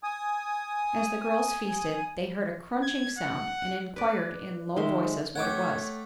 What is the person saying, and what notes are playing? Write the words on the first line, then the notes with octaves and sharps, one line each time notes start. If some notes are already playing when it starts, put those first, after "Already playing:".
As the girls feasted they heard a crunching sound and inquired in low voices what it was.
G#5 D#6
G#6
F#5
B4 D5
D#3 G#3 E5 C6
A3 C#5 F#5 G5 D6 G#6